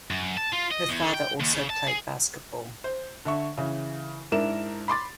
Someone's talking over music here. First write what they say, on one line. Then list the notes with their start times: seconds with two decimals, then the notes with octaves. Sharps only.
Her father also played basketball.
0.10 F#2
0.37 A5
0.53 F4
0.71 D#5
0.89 E2
1.02 D3
1.14 G5
1.40 D#2
1.54 C#3
1.70 A5
1.87 G#4
2.84 C5
3.25 D3 E5 C#6
3.58 C#3 E3
4.32 G#2 D4 E4 A#4 E7
4.88 B5 C6 D6 A6